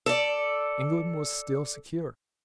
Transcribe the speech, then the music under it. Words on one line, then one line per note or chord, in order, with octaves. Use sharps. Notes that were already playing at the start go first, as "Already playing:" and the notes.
England was still secure.
A4 D5